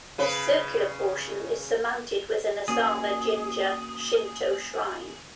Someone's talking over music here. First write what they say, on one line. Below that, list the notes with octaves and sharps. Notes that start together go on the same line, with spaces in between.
This circular portion is surmounted with an Asama Jinja Shinto shrine.
C#3 B4
A#3 C#4 F#4 G#4